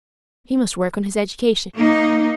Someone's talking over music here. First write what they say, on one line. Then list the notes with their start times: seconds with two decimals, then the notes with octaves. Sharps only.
He must work on his education.
1.77 A#3 D#4